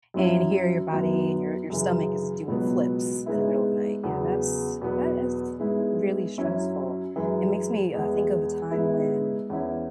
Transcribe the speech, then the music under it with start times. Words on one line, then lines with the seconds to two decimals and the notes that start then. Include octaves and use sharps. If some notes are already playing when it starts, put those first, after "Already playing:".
and here, your body and your your stomach is doing flips in the middle of the night. Yeah, that's that is really stressful. It makes me, uh, think of a time when
0.14 F#2 F#3 C#4 E4
0.92 F#2 F#3 B3 E4
1.70 F#2 C#3 E3
2.48 C#2 B2 F#3 B3
3.26 G#2 G#3 B3 E4
4.04 E2 C#3 F#3 B3
4.82 E2 B2 F#3 B3
5.60 G#2 G#3 B3 E4
6.38 F#2 F#3 C#4 E4
7.16 F#2 E3 G#3
7.94 E2 E3 G#3
8.71 G#2 G#3 B3 E4
9.50 E2 E3 C#4 E4